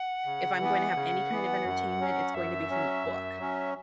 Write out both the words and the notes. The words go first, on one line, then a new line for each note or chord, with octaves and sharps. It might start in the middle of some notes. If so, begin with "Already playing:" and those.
If I'm going to have any kind of entertainment, it's going to be from a book,
Already playing: F#5
C#3
E3 B3
C#3
E3 B3
F#2
F#3 C#4
F#2 E5
F#3 C#4
F#2
F#3 C#4